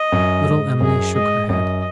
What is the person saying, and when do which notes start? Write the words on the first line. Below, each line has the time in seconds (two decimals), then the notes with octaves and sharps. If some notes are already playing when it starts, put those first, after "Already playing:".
Little Em'ly shook her head.
Already playing: D#5
0.12 F#2
0.46 G#2
0.80 F#2 G#4
1.14 G#2 D#5
1.49 F#2 D#5